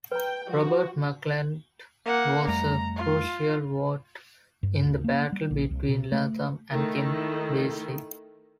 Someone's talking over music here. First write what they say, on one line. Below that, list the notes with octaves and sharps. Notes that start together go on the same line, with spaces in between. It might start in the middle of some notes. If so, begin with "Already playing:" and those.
Robert McClelland was a crucial vote in the battle between Latham and Kim Beazley.
B4 G5 A#5
F3 F#4
A#3 F#5
F2 G3 A3 A#5
F4
G2
D2
A#3
G3
A#1
C2
B2
A3
D#3 A3 E4